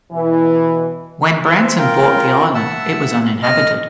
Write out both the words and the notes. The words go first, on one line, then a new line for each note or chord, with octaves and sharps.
When Branson bought the island, it was uninhabited.
B2 E3
C5 E5
F4 A#4 G5
E5 F#5 A5 E6
D#5 F6